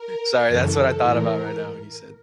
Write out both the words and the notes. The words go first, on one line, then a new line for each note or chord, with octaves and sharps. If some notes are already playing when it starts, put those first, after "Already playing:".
Sorry, that's what I thought about right now when you said
Already playing: A#4
F#2 C#3 E3 A4
A2 E3 A#4